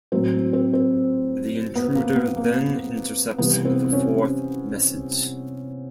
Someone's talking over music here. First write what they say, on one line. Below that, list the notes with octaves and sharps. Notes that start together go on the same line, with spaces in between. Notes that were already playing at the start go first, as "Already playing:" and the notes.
The intruder then intercepts the fourth message.
A2 F#3 C4
C4
C4
B3
A#3
B3
A#3
C3 E3 G3 B3
C4
C#4